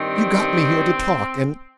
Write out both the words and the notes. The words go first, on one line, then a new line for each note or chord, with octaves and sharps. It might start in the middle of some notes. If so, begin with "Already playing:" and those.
You got me here to talk, and . . .
Already playing: G2 D#3 C4